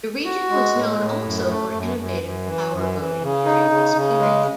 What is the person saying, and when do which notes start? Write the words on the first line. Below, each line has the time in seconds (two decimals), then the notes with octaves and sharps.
The region was known also for innovative power boating during this period.
0.25 F#4
0.50 G#3
0.74 A2
0.99 A2
1.24 F#2
1.49 A3
1.73 F#2
1.97 F#2
2.22 F#2
2.47 E3
2.72 F#2
2.97 E3
3.21 C#3
3.45 D#4
3.70 C#3
3.95 C#3
4.19 G#3